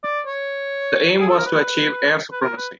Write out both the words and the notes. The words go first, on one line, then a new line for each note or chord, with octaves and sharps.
The aim was to achieve air supremacy.
D5
C#5
G#4
A4
A#4
B4
B4
A#4
B4